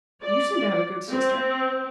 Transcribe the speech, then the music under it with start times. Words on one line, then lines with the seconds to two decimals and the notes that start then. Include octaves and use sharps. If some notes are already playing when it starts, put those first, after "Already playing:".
'You seem to have a good sister.'
0.22 D5
1.10 C4